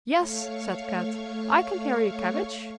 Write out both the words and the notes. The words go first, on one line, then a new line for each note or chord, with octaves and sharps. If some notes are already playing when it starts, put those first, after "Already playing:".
"Yes," said Kat, "I can carry a cabbage."
A3 C#5 F5 C#6